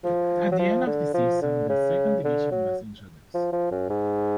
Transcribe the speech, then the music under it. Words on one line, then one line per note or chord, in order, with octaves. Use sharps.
At the end of the season the second division was introduced.
F3
F#3
F3
D3
F3
D3
C#3
D3
F#3
F3
F3
F#2
G#2